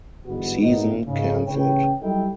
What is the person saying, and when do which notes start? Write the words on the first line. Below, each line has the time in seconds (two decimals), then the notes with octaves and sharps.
Season canceled.
0.24 G1 E2 G#2 B3 F#4
0.59 G#1 B3 D#4
1.05 G#2 C#3
1.47 A1 C#3 B4 C#5 G5
2.01 F#3 G3 D#4 E4 A4 G5